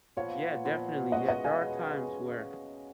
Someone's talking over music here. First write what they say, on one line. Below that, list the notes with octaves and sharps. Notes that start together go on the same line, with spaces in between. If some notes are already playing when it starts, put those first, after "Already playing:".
Yeah, definitely. Yeah, there are times where
A#2 F3 B3 F4 C#5 F5
A#2 F3 B3 F4
B2 G#3 C#4 D#5 F#5
D#5 F#5
F5 G#5
B2 G#3 C#4